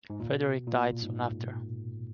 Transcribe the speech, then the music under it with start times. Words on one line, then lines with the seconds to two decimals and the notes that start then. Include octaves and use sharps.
Frederick died soon after.
0.10 G#2
0.20 A#2
0.31 B2
0.67 A#2
1.03 G#2